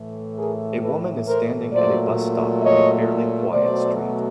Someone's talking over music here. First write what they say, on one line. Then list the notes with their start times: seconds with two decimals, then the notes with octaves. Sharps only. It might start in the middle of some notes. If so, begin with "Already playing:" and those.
A woman is standing at a bus stop on a fairly quiet street.
Already playing: A2 E3 A3
0.37 G#4 A#4
0.82 A4 B4
1.27 A#4 C5
1.72 A#2 F#3 A3 C5 D5
2.61 C#5 D#5
3.52 B2 F#3 A3 C5 D5